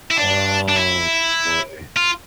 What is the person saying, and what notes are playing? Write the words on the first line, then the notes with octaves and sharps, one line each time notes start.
Oh, boy.
E4
D4
D4
E4
F4